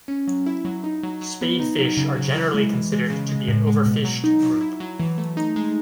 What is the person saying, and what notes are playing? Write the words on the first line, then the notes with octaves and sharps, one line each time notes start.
Spadefish are generally considered to be an overfished group.
C#4
F#3
E4
F#3
D#4
F#3
F#3
B3
D#4
F#3
C#3
F#3
E4
G#3
E3
G#3
C#3
G#3
A2
G#3
B2
F#3
D#4
F#3
E4
F#3
E3
A3
D#4
G#3